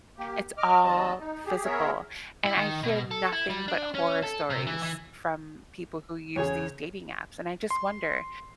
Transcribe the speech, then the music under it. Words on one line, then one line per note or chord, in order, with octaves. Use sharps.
It's all physical. And I hear nothing but horror stories from people who use these dating apps, and I just wonder,
A#3 G4
D#5 D6 F6
D#2 G3 C4 D#5 A5
D#4
G4 G#4
B3 G#4 A#4 C#5 E5
E4
D#3
B2
A4
E4
G3
D4
C#4
A4
C3
E3
E3
E2 C#3 G#4 C#5
C6